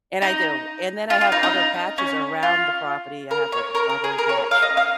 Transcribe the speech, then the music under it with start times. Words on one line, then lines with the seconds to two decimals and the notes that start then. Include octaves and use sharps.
And I do. And then I have other patches around the property. I have, like, a strawberry patch,
0.22 D#4
1.10 F4
1.21 F4
1.32 D#4
1.43 D#4
1.98 C#4
2.43 F4
3.31 A#4
3.52 C#5
3.75 A#4
3.89 A#4
4.04 G#4
4.18 A#4
4.29 C#5
4.51 F5
4.62 D#5
4.77 F5